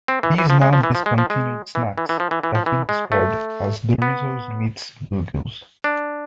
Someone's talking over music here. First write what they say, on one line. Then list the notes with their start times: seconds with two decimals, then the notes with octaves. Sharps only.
These now discontinued snacks have been described as "Doritos-meets-Bugles".
0.08 C4
0.23 E3
0.38 E3
0.50 F3
0.62 G#3
0.73 F3
0.83 E3
0.95 F3
1.06 G#3
1.18 F3
1.30 G#3
1.75 E3
1.98 E3
2.09 E3
2.20 F3
2.31 E3
2.43 E3
2.55 F3
2.66 E3
2.89 G#3
3.12 A3
4.02 B3
5.84 D4